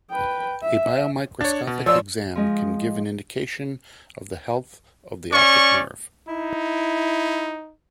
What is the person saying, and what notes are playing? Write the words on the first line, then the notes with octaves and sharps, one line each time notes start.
A biomicroscopic exam can give an indication of the health of the optic nerve.
B4 G5
E5
D4 C#5 A6
B2
C#3 F3 F4 C#5 D5 E6
F3 G#3 D#5
C#4 D5 C#6
D#4 E4